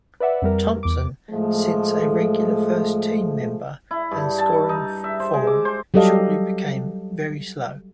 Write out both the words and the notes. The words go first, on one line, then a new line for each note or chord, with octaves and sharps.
Thompson since a regular first team member and scoring form shortly became very slow.
B4 D5 E5 F#5
F2 G3 A#4
E2 D6
A2 F3 G#3 A3
E4
G2
A5
D#4
E5
C5
G#3
D6
C5
F#3 G3 G4 A4 D#5 F5